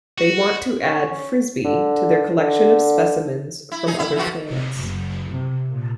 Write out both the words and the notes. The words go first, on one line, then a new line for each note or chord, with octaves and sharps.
They want to add Frisby to their collection of specimens from other planets.
F#4
C#4
D3
D3
E4
D#4 G#4
E4
E3 F3 F#4
C3
F#1
C3
A#2